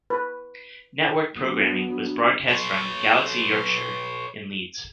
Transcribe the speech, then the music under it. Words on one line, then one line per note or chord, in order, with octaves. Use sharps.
Networked programming was broadcast from Galaxy Yorkshire in Leeds.
B4
F#3 B3 D4
B4 C#5